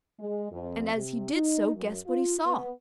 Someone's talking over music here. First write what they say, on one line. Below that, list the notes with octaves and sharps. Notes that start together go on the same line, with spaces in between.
And as he did so guess what he saw?
G#3
F2
C3
D#4
F#2
F4
B3